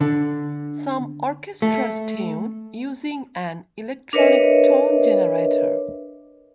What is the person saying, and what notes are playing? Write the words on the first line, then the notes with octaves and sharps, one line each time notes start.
Some orchestras tune using an electronic tone generator.
D3
A3
D4 A#4 B4 C#5 D#5 E5